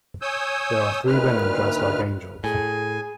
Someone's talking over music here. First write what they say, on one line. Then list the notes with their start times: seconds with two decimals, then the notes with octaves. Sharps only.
There are three women dressed like angels.
0.22 C#5 G#5 D#6 E6 G6
1.07 D2 A#2 D#3 B4 F6
2.44 A2 G#4 G#5